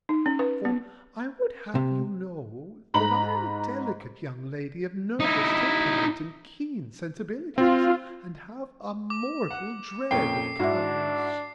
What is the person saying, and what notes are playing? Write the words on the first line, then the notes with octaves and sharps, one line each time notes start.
For I would have you know, that I am a delicate young lady of nervous temperament and keen sensibilities, and have a mortal dread of cows.
D#4
C#4
B4
B3
C3
G#2 A#5 B5 F#7
D#4 E4
C4 F4
D6
F#5
F2 A#2 C#4 G5 C7
G#2 D4 E4 F#4